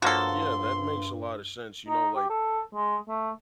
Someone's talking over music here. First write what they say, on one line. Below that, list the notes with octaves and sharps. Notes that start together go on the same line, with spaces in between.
Yeah, that makes a lot of sense. You know, like,
G2 F3 A#3 F#4 A4 C#5 C6
D#4
G4
A4
G#3
A3